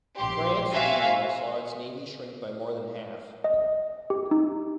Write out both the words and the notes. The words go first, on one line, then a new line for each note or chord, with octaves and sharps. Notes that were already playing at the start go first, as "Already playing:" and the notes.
France, meanwhile, saw its navy shrink by more than half.
A#1 G4 C6
F#4 E5 F5 G#5
D#5
G4
D#4